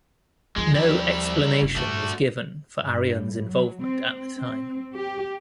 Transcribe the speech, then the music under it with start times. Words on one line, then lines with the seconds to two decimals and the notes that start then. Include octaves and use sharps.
No explanation was given for Arion's involvement at the time.
0.56 D#2 F3 G#3
0.75 G3 E4
1.62 F1 F#2
1.76 G2 A#2 A3 F#4
2.84 G2
3.46 F#3
3.83 C4
4.36 C4
4.95 G4